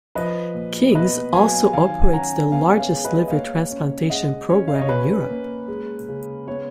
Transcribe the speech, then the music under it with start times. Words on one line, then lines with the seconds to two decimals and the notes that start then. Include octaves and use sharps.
King's also operates the largest liver transplantion programme in Europe.
0.15 F3 B4 D#5
0.54 A#2
0.95 B2 B4 D#5
1.33 F#3 F5 G#5
1.73 D#3 F5 G#5
2.02 G#5
2.12 C#4 F#5 A#5
2.52 B3 F5 G#5
2.79 C#5 F5
2.91 G#3
3.05 B4 D#5
3.28 D#5
3.31 A#3 C#5 F5
3.71 C#4
4.10 G#3 D#5 F#5
4.49 C#4 C#5
4.68 F5
4.75 D#5
4.81 C#5
4.89 C#4 B4
5.29 A#3
5.68 G#3
6.08 C#3
6.47 B3 C#5